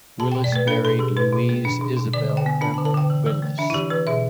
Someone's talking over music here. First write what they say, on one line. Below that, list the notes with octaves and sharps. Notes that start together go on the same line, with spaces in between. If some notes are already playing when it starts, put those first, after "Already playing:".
Willis married Louise Isabel Trimble Willis.
B2 A5
G5
B2
D5
A3 B4
D4 A4
B2 A4
B2 G4
B2 B4
B2
A3
D4
B2
B2
D3 D5
D3
G5
B3
D4 A5
A5
D3
A5
D3 G5
E3
E3
A3
D4 E5
E4
E3 G4
E3 B4
B2 E5